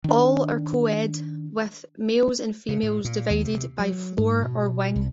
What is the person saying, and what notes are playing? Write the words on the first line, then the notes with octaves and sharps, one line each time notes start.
All are co-ed, with males and females divided by floor or wing.
D#3 D4
C#3
A2
A#2
D#2
C3
F#3
G#2
B2
C2